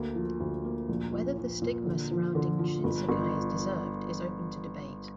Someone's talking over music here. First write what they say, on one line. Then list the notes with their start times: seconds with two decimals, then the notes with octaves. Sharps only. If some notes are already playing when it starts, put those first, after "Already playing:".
Whether the stigma surrounding Shinsekai is deserved is open to debate.
Already playing: D2 A#3
0.15 F3
0.40 D2
0.65 A#3
0.89 A#1
1.13 F3
1.38 F3
1.62 A#2
1.86 D3
2.11 F3
2.35 D3
2.59 F3
2.84 G1
3.09 G1